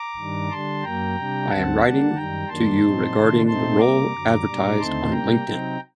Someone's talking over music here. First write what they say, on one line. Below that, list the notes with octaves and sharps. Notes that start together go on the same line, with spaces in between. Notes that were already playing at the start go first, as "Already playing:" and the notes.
I am writing to you regarding the role advertised on LinkedIn.
Already playing: A#5 D6
G2 D#3 G3 D4
D3 G3 D4 A5 C6
F#2 F#3 A#3 G5 A#5
C3 G3 D4
D2 D3 F#3 C4 F#5 A5
D3 G3 A#3 D4
F#2 D#3 G3 G5 A#5
F#2 D#3 F#3 A#3 D4 A5 C6
A#2 F#3 C4 D#4
C3 D#3 A3 D4
A#2 A3 C4 D#4 A5 C6
C3 G3 A#3 A#5 D6
F#2 D3 F#3
A#2 G3 D4
D#2 D3 A3 C4 D#4 A5 C6
C3 G3 A#3 G5 A#5
C3 F#3 C4 D#4